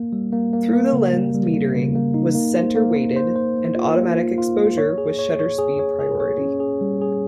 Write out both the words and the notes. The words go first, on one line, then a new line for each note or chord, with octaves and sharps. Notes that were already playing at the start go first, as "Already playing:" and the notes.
Through the lens metering was center weighted and automatic exposure was shutter speed priority.
Already playing: A#3
G3
A#3
A#3
A#3
C#3
G3
G3
A#3
C#3
A#3
D#4
A#3
C5
A#3
A#3
C5
C5
A#3
F4
A#3
F4
F4
A#3
C#5
G#4
C#5
C#5
G#4
C#5
G#4
C#5
C#4
G#4
G3
G#4